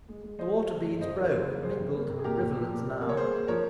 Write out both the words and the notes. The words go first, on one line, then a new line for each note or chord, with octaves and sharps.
The water-beads broke, mingled--rivulets now.
G#3
G#3
F3 C5 D#5
G#3
G#3
G2
F2 C5 D#5
G3 A#4 C#5
C#3 G#4 C5
A#3
C3 G#4 C5
C3
A#3
C3
G#4
A#2 G4 A#4
A#2
F3
A#2
G3
A#3
C#5
A#3 G#4 C5
A#3
F3 A#4 C#5